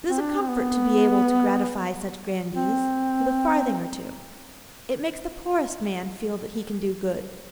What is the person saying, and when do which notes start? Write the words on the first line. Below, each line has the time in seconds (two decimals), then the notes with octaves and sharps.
It is a comfort to be able to gratify such grandees with a farthing or two; it makes the poorest man feel that he can do good.
0.10 C4
0.20 D4
0.39 C4
0.49 B3
2.55 C4